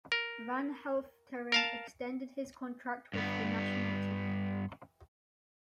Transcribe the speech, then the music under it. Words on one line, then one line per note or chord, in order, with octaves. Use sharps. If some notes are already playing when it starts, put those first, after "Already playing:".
Van Helfteren extended his contract with the national team.
A#4
A#4 F5 A5
G2 B3